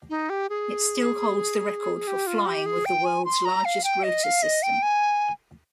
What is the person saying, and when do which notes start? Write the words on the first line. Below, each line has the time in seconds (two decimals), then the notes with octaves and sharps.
It still holds the record for flying with the world's largest rotor system.
0.10 D#4
0.30 G4
0.50 G#4
2.07 G4
2.27 F4
2.46 G4
2.66 G#4
2.85 G5
3.05 G#5
3.25 C6
3.45 A#5
3.65 F5
3.84 G5
4.04 D#5
4.24 F5
4.43 D#5
4.63 G5
4.83 G#5